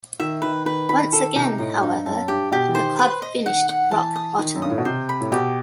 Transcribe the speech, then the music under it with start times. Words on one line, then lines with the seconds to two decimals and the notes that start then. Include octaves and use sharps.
Once again however the club finished rock bottom.
0.19 D#3 E5
0.42 D#3 B4
0.65 D#3 B4
0.89 D#3 B5
1.13 D#3 A4
1.36 C3 D#4
1.58 A2 D#5
1.82 G2 D#4
2.06 F#2 A5
2.28 G2 G4
2.52 B2 G4
2.68 E3
2.75 D#3 C5
2.99 B4
3.22 D#5
3.45 D#3 F#5
3.69 F#5
3.91 E3 A5
4.16 D#6
4.38 D#3 D#6
4.55 F#2
4.62 G2 D#6
4.70 A2
4.78 B2
4.85 C3 C5
5.09 B5
5.21 A2
5.32 B2 G4